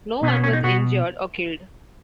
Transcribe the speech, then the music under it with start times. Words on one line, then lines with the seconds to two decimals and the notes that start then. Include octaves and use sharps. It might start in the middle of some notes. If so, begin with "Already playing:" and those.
No one was injured or killed.
0.23 B2 D#4
0.28 B3
0.33 C#4
0.43 C#4
0.53 D#4
0.64 B2 F#4